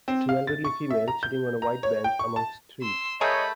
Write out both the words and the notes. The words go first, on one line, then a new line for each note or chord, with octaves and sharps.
Two elderly females sitting on a white bench amongst trees.
C4
F5
A6
C#6
E5
A#5
G6
A#5
C#5
G5
C#6
A5
C6 E6
A3 G#4 A#4 C#5 D#5 A5 B5 G6